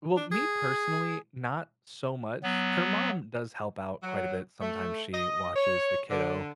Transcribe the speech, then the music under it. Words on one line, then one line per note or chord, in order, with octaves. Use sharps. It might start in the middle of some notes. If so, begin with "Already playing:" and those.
Well, me personally, not so much. Her mom does help out quite a bit. Sometimes she watches the kiddo,
D4
G#4
F#3 B3
F#3
A3
D#5
C#5
D3